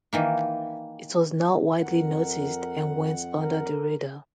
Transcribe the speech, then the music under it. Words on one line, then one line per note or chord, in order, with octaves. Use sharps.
It was not widely noticed and went under the radar.
D#3 E3 A#3
F2 A#4 F#5
A#4